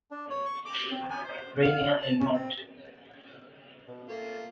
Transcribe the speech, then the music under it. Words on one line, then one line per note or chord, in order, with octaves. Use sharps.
Rainier and Mt.
D4
C#5
C#6
D6
C4
G#5
C5
F5
A5
C#4
C4
B2
A3 A#3 F4